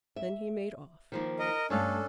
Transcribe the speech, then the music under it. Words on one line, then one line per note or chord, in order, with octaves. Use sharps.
Then he made off.
E5
D#3 F3 A#3
A#4 D#5
G2 A3 C#4 D4 A4 F5